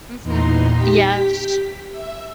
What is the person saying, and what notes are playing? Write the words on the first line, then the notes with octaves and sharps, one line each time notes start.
Mhm. Yes.
E2 A#2 B3 D#4 A#5 C6
G4 B6
E5